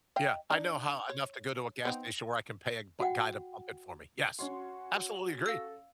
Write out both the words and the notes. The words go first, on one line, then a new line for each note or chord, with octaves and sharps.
Yeah, I know how enough to go to a gas station where I can pay a bu guy to pump it for me. Yes, absolutely agree.
D#5 F5 G5
D4 D#4
C#5
B3 C4 D#4
F#4 F#5 G5
C#4 F#4 C#5 F#5 C6
A4 F5 E6